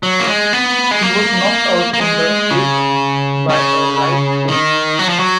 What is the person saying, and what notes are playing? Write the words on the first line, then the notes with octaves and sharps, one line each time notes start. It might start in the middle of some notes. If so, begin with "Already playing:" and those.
He was knocked out in the eighth by a right hook.
F#3
A#3
G#3
B3
G#3
A#3
A#3
G#3
C#3
C#3
D#3
F#3
F3
F#3